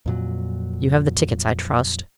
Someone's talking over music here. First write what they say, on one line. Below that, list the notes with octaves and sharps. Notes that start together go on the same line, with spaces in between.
You have the tickets, I trust?
F2 A#2 F#3